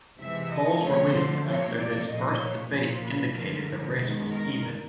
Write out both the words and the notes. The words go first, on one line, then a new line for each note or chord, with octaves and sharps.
Polls released after this first debate indicated the race was even.
C3 E3 G#3 E5
D#5
D3 F3 A3 C#5
C5
C3 F3 A#3 C#5
D5
A#2 F3 A3 D#5
C#5
A#2 F3 A#3 C5
B4
D3 F3 A3 A#4
D#3 G#3 B3
A#4